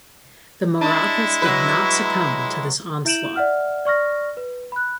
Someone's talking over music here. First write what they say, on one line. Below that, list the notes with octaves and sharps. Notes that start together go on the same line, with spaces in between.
The Marathas did not succumb to this onslaught.
G#3 D4 E4
F#3 B4
E4 E5 G6 D7 E7 F#7
D5 E5 F#5 F6
D5 C#6 F6 A#6
B4
B5 F#6